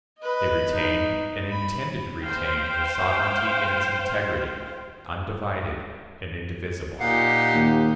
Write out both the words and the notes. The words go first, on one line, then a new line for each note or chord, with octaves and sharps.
They retained, and intended to retain, their sovereignty in its integrity--undivided and indivisible.
B4 D#5
D#4
B5
C5 F5 G5
A#2 D#4 G4 F5 F#5
D#2